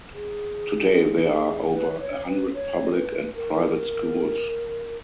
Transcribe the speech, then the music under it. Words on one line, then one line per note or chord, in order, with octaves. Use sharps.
Today there are over a hundred public and private schools.
G#4
B4
C#5
B4
C#5
B4
A#4